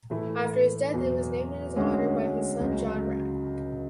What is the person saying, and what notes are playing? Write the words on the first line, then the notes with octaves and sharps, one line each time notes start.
After his death it was named in his honor by his son John Wragg.
A2 E3 A3 E4
E2 B2 F#3
D2 D3 G#3 C#4 F#4
C#2 C#3 F#3